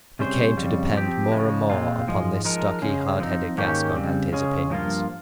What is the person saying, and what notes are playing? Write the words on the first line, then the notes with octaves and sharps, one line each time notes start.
They came to depend more and more upon this stocky, hard-headed Gascon and his opinions.
C3 G3 C#4 G#4 C5
F2 C#3 G3
F3 C4 G4
C#3 F3 G#3
A#2 G#3 C4 F4
G#2 F3 G#3
F3 G#3 D#4 A#4
C#3 G#3 C#4 G#4
F3 C4 D#4
G#2 D#3 A#3 C#4 G4
C#3 G3 C4
C#3 G#3 C#4 G#4
G2 F3 A#3 F4